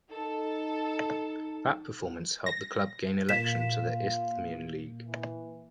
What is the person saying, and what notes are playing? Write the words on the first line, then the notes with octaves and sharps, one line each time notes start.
That performance helped the club gain election to the Isthmian League.
D#4 A4
A#6
A#2 A#3 F4 B6 E7
E3